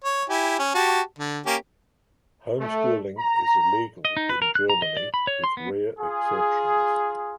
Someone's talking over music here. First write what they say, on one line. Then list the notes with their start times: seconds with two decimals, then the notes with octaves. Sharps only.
Homeschooling is illegal in Germany, with rare exceptions.
0.04 C#5
0.29 E4 G4 G#5
0.59 C#4
0.75 F#4 G4 A5
1.18 D3
1.46 A#3 C#4 G4
2.59 A3
3.18 A#5
4.05 D#5
4.17 D#4
4.29 B4
4.42 A#4
4.55 F#6
4.69 A#5
4.82 D#5
4.97 D5
5.14 B5
5.27 C#5
5.44 C6
5.57 B3
5.99 F4 G#4